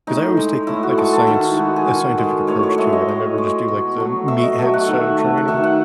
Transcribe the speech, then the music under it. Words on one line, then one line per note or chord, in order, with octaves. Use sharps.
'Cause I always take the like a science a scientific approach to it, I never just do, like, the m meathead style training.
A2 D#4
G#3
A2 E4
F#4
G#3 A4
A4
D#3 E4
G#3 F#4
G#4
D#3 A4
G#3
A2 C#5
C#5
G#3 E5
D#5
A2
G#3
B2
F#3 A3
B2 E5
D#5
F#3 A3 E5
F#5
D#3 E5
A3
F#5
D#3 E5
F#5